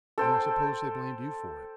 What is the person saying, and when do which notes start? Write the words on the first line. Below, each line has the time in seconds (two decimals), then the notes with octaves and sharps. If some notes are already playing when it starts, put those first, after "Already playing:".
"And I suppose they blamed you for it."
0.18 A4 C5 G5